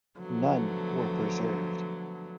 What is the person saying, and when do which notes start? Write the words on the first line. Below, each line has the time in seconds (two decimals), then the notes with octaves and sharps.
None were Preserved.
0.18 D3 F3 F#3 A3 B3